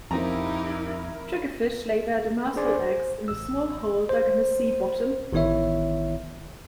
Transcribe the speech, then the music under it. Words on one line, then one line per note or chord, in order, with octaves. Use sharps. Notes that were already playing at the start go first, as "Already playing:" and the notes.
Triggerfish lay their demersal eggs in a small hole dug in the sea bottom.
F2 C4 D#4 E4 G4 A#4 A#5
D4 G#4 C5 D5 G#5 C6
C5
A1 E6
C5
A1 D#3 B3 E4 C#5 E5